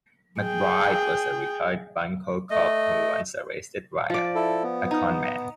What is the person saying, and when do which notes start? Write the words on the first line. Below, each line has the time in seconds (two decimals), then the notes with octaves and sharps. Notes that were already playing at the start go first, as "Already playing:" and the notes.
MacBride was a retired bunco cop who once arrested Ryan, a con man.
0.42 G#4 G5
2.50 A3 D#5
4.10 F3 D5
4.35 E4 A4
4.63 B3
4.91 D#4